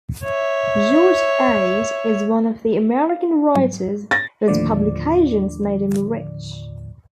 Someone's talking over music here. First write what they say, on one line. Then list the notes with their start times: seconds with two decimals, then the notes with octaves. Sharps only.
George Ade is one of the American writers whose publications made him rich.
0.24 C#5 E5
3.09 F5
3.56 G#2 F#3 G3
4.11 A6 A#6
4.48 D#2 A2 D3 F3 D5